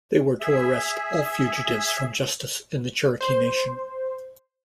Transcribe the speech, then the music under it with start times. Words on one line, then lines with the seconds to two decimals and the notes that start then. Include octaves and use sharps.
They were to arrest all fugitives from justice in the Cherokee Nation.
0.41 G#4 E5
3.21 C5